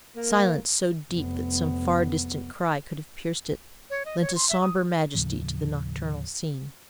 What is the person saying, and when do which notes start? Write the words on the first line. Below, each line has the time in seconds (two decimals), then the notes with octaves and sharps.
Silence so deep that some far-distant cry could have pierced it, lent a sombre majesty to the nocturnal scene.
0.15 A#3
1.12 F1 B3
3.90 C#5
4.05 D#5
4.21 C#5
4.35 C6
4.49 E5
4.61 D#6
5.15 D#2 A2 C#3 F3